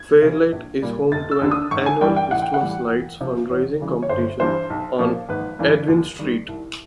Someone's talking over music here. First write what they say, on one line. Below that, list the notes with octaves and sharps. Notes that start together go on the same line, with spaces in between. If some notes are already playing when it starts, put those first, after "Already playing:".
Fairlight is home to an annual Christmas Lights fundraising competition on "Edwin Street".
Already playing: G#6
C3 E3
A#1
A#2 G3
F1 A6
E6
D#2 D3
D#6
G#1 C#6
G#5
G2 E3 G3 G5
G5
A1 F#5
G5
F#5
A2 E3 G3
E2
C3 F3
E2 C#5
C#3 E3 G3
C#5
G1 C5
G2 E3 G3 C5
B1
A#2 F3
G#1 B4
G2 E3 G3
D#2
D#3 G3
C2